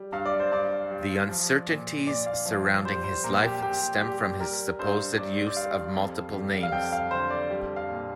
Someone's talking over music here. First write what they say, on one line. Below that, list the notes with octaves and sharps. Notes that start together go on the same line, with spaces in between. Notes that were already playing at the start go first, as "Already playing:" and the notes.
The uncertainties surrounding his life stem from his supposed use of multiple names.
Already playing: G3
G2 F5
D5
C5
G2 D5
G3
F3
A#2
A#2 D5
F5
F3 F5
G3 C5
C5
A#2 A#4
G4
A#2 G4
G3 G4
G3 A#4
G2 C5
G2 D5
D5
G3 F5
F2
G3
F5
F2 G5
F5
D3 C5
D5
G3
F5
A#2